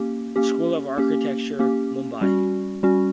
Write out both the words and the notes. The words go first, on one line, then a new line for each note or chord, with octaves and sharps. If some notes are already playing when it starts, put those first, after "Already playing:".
School of Architecture, Mumbai.
Already playing: A#3 C#4 G4
A#3 C#4 G4
A#3 C#4 G4
A#3 C#4 G4
G3 C#4 F#4
G3 C#4 F#4